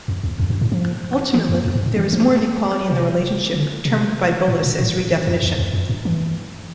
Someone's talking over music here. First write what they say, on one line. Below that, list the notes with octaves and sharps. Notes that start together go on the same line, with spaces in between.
Ultimately, there is more of equality in the relationship, termed by Bullis as Redefinition.
F2
E2
F2
G2
A2
F3
E3
F2
F2
G2
A2
E3
F3
C3
D3
C3
A2
B2
A2
F2
E2
F2
F2
G2
E3